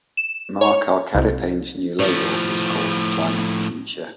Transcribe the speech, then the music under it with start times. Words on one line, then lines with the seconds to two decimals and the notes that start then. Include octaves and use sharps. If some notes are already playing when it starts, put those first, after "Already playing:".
Marc Arcadipane's new label is called "Planet Phuture".
0.17 E7
0.61 C#5
1.15 C2
1.99 A2 F3